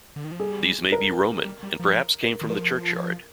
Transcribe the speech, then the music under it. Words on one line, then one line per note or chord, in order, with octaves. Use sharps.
These may be Roman and perhaps came from the churchyard.
D3
D#3
F3
G3 G#4
A#4
G3
G3
F3
A#4
D#3
F3 A#4